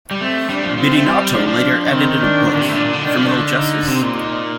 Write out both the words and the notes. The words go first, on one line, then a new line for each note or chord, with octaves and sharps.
Bidinotto later edited a book, Criminal Justice?
G3
A3 C4
G3 D4
F3
F3 C4
A3
G3
G3
F3 D4
F3
F3
D#3 C4
D4
D3
A#2
C3
A2
A#2 D4
A#2
D3
D#3
F3
D#3
D3
D#4
C3 C4
A#2
D#4